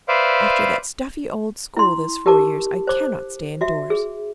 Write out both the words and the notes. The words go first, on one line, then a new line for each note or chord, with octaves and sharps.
After that stuffy old school this four years, I cannot stay indoors.
B4 C5 D5 E5 F5
E4 C6
G4 A#4 A5 D6
C5 D6
F#4 E5
G#4